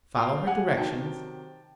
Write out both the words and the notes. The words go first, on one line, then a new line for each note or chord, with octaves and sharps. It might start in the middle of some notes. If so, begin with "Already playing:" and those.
Follow her directions.
F5 G5
F#5 G#5
C3 D#3 F#3 G5 A5